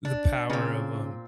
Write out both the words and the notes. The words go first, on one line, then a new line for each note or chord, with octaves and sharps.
the power of, um,
D4
A#2 C#3 C4